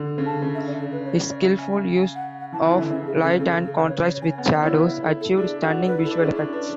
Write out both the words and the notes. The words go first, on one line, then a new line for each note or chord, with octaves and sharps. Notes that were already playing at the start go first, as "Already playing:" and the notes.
His skilful use of light and contrast with shadows achieved stunning visual effects.
Already playing: D3
C#3
A5
C#3
E5
D5
A4
B4
C#5
D5
D5
E5
G#5
E5
G#5
F#5
F#5
E3 A5
E3 G#5
D3 E5
C#3 E5
G#4
C#3 A4
C#3 A4
A4
A4
B4
C#5
C#5
G#5
B3
D5
E4 C#5
B4
A4
A4
D4 G#4
F#4 A4
B4
E4 A4
D4
G#4
C#4
D4 A4
D4 B4